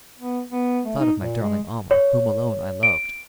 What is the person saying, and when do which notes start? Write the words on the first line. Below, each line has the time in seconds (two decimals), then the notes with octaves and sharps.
I thought of my darling Almah, whom alone I loved.
0.19 B3
0.51 B3
0.86 A3
0.99 D#4
1.20 A#2
1.42 G#3
1.91 C#5
2.83 D7